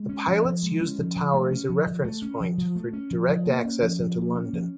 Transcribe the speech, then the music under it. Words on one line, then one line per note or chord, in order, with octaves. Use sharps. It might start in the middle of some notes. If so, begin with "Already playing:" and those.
The pilots used the tower as a reference point for direct access into London.
Already playing: G#3
C#4
F3
F3
G#3
C#4
F3
F3
A3
C#4
F3
F3
A3
C#4
F3
F3
A3
C#4
F3
F3
A#3
C#4
F3
F3
A#3
C#4
F3